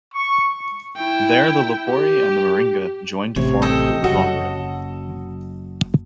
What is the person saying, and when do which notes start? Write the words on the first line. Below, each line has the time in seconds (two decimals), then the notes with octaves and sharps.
There the Lopori and the Maringa join to form the Lulonga.
0.14 C#6
0.97 E4 G5
1.89 G4
3.36 A1 C3 C#5
3.62 A4 D#5 G5
4.04 F#1 F#3 F#4 A4 D#5